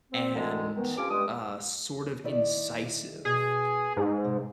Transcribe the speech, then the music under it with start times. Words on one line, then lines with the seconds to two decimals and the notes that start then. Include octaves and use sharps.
and, uh, sort of incisive,
0.12 C4
0.35 F#2 D3 E3 G#3 C4
0.76 D#3 E3 B3
0.97 F2 F3 C4 C#4 G4 D6
1.09 G2 G#3 D#6
2.24 D#3 E4 D5
3.25 B2 G#4
3.97 G#2
4.24 C3